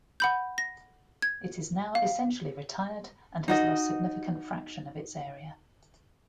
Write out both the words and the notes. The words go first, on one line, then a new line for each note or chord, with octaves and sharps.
It is now essentially retired, and has lost significant fraction of its area.
F#5 B5 G6
A#6
G#6
F5
D#4 F#4 D#5